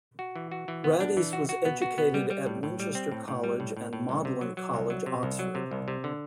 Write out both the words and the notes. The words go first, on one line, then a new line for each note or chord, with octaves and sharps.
Radice was educated at Winchester College and Magdalen College, Oxford.
F#4
E3
F#4
E3
B3
D4
E3
F#4
F#4
B3
F#4
B3
G3
G3
A2
A2
G3
C4
A2
A2
G3
A2
A2
A2
C2
C3
F#3
F#3
C2
F#3
C3
C2
F#3
C3
C2
C3
D3